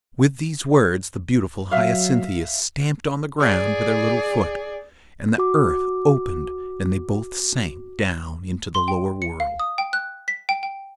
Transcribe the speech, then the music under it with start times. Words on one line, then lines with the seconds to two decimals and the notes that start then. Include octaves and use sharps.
With these words the beautiful Hyacinthia stamped on the ground with her little foot, and the earth opened and they both sank down into the lower world.
1.71 F#3 E5 F5
3.39 G#4 D5
5.38 F#4 D6
8.75 C6
8.88 G5
9.22 C#7
9.40 F5
9.60 D#6
9.78 G5
9.93 F#6
10.28 B6
10.49 G5
10.63 G5